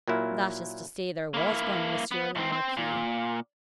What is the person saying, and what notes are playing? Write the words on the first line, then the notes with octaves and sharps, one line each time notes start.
"That is to say there was one, Monsieur le Marquis."
A#2 F#3 A#3 E4
A#3 E4
B3
G#2 C4
C4 C5
A#2